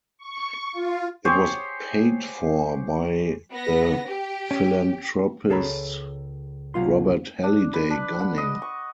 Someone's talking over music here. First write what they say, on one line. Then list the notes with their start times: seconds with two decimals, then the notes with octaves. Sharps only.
It was paid for by the philanthropist Robert Halliday Gunning.
0.18 C#6
0.72 F4
1.25 G4 G#4 C5 C#5
3.52 B3 A#6
4.07 G4
4.51 C#4
5.49 C#2 G#4 A4 C#5 A#5 B5
6.74 C2 F#3 F4 C6
7.43 D4
7.73 B4
7.90 D4
8.20 F#5
8.38 D#5
8.62 C#6